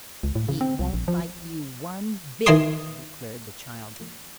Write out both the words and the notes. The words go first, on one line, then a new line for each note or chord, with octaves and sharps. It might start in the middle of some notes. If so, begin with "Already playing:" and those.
"He won't bite you one bit," declared the child.
C#2
A2
C#3
C4
C2
A#1
F3
D#3 E3 G5 G#5 C6 D#6